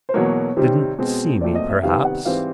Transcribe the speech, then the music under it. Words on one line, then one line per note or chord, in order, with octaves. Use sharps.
Didn't see me perhaps.
C5
E2 B2 F#3 A#3 C#5
C3 D#3 G3 C4
B2 G#3 C4
A#2 F#3 A3 C4 D5
D#5
E5
C3 D#3 G3 B3 F5
F#5
G#2 E3 G3 C4 F5